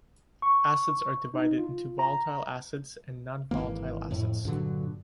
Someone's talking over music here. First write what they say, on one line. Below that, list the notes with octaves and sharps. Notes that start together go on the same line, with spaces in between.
Acids are divided into "volatile acids" and "nonvolatile acids".
C#6
D#4
F4
A#5
G#1 E2 E3 A#3
F2 A2
G2 A#2 D3 F#3